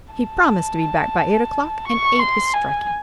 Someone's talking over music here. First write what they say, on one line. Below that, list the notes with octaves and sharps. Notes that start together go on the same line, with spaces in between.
He promised to be back by eight o'clock, and eight is striking.
A5
C#6
C6
G#5